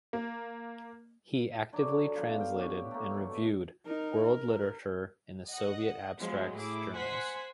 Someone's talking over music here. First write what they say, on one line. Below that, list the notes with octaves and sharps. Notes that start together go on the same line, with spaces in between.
He actively translated and reviewed world literature in the Soviet Abstracts Journals.
A#3
D3 F#3 G#4 D6
F3 B3
G#4 E5 F5 G5
G4 C#5 F#5 G5
A3 A#3
B2 E3 A4
D#4 A#4
A#4
D#5 F#5
F3 F#3 G#3 B3
A2 E4 G#4 D6
C5 F#5 G#5 F#6 B6